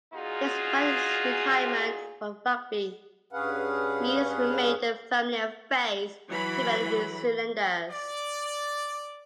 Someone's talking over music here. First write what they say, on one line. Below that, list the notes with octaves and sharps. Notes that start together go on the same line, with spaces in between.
Despite his retirement from rugby, Meads remained a familiar face to many New Zealanders.
A#2 D#4 F4 F#4 G#4
G2 C#4 G#4 B4 F5 F#5
E3 F#3 B5
D5